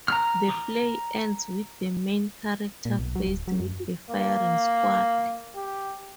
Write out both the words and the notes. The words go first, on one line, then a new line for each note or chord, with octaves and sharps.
The play ends with the main character faced with a firing squad.
A#5 F6
A#2
B1
F#3
D1
F#3
F#2
A#3
G4